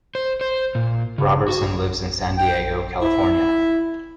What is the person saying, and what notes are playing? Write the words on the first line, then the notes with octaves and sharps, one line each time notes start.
Robertson lives in San Diego, California.
C5
C5
A#2
C#3
F#4
G5
E4